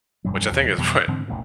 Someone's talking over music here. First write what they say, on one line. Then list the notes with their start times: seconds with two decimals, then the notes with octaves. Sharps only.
Which I think is what
0.24 E1 G2 F#3
0.51 D#2 B2
0.66 C3 F#3
0.78 F2 B2 E3 G3
1.07 G#2 D3 E3 C4
1.28 E1 A1 D#2 A#2